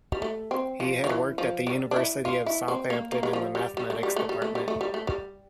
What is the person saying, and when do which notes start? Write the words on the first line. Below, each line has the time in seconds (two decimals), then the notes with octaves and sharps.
He had worked at the University of Southampton in the Mathematics Department.
0.12 G3
0.22 A3
0.51 C4
0.80 F3
1.04 F3
1.09 E3
1.38 F3
1.67 G3
1.91 D4
1.96 E4
2.25 F4
2.46 E4
2.68 C4
2.90 A#3
3.12 A#3
3.23 G3
3.33 F3
3.55 G3
3.77 G3
3.90 A3
4.03 G3
4.16 A3
4.29 G3
4.42 A3
4.55 G3
4.68 A3
4.81 G3
4.94 A3
5.07 G3